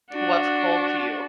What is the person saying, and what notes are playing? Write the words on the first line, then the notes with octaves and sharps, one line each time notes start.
What's cold to you?
D4 F#4